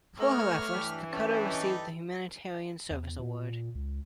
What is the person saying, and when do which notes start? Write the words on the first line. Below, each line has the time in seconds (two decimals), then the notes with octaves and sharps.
For her efforts, the cutter received the Humanitarian Service Award.
0.19 A3 B3 C#5 A#5 D6 F6
0.73 G2 E3 D4 G4 B5
1.12 C#4 G4 A4 D5
1.46 D#4 B4
2.91 E2
3.19 A#2
3.75 C#2